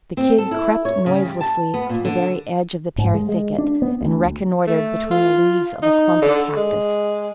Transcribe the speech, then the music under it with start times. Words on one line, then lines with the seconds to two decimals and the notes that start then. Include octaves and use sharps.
The Kid crept noiselessly to the very edge of the pear thicket and reconnoitred between the leaves of a clump of cactus.
0.17 C4
0.38 A4
0.51 E4
0.85 C#5
1.06 C#3
1.25 G3
1.41 A5
1.74 B3
1.90 A#2
2.05 D3
2.98 G#2
3.14 G#3
3.29 G#3
3.58 D4
3.82 B3
4.02 D2
4.67 A3
5.11 F4
5.82 D#4
6.22 D3
6.57 G#3